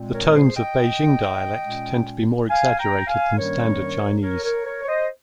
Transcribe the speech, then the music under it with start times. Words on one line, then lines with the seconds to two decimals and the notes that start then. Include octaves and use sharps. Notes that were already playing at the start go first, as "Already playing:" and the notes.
The tones of Beijing dialect tend to be more exaggerated than Standard Chinese.
Already playing: A#2 G#3 C4
0.13 A#4 C#5
0.35 G#4 C5
0.56 D#5 G5
1.64 A#2 G#3 C#4
2.50 F5 G#5
2.79 G5 A#5
3.07 F5 G#5
3.37 G2 D#3 G3 A#3 C#4 A#4 C#5
4.23 A#4 C#5
4.44 A#4 C#5
4.66 A#4 C#5
4.83 C#5
4.88 C5 D#5